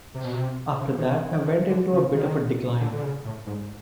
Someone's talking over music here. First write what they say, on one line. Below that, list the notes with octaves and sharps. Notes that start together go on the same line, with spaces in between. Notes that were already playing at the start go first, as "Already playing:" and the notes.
After that I went into a bit of a decline.
C3
B2
C3
C#3
D#3
D#3
D#3
D#3
D3
D3
C#3
D#3
D3
D3
C#3
A2
G#2